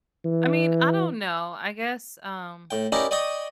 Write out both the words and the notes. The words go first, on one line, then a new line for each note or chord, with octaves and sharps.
I mean, I don't know, I guess, um,
E3
A2 G5
C#4 D#4 E4 G4 A#4 D5
D5 D#5 G5 C#6 D#6